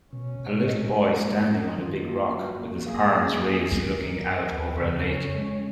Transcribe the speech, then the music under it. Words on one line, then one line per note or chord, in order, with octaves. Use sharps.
A little boy standing on a big rock with his arms raised looking out over a lake.
B2 C#4
B2
G#3
G#3
A#3 D#4
C#4
D#3 F4
A#3
F#3 F#4
A#3
A#3 G#4
A#3
F#2
D#3
F#2 A#4
F#2
D#2 B4
C#3
C#4 C#5
G#3